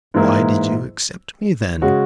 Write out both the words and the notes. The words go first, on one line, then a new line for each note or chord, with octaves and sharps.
"Why did you accept me then?"
G#2 E3 A#3 E4
C#3 G#3 C#4 F#4